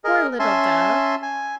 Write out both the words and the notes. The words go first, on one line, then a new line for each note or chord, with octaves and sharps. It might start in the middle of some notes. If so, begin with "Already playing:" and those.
Poor little Dove!
G#4 A#4 D#5
C#4 E5 G#5 A5 C6
G#5